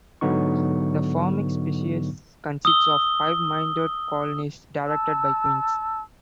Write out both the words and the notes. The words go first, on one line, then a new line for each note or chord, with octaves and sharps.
The Formic species consists of hive-minded colonies directed by queens.
G#2 D3 F#3 B3 D#4 C#6
D#6 E6 G7
A5 E6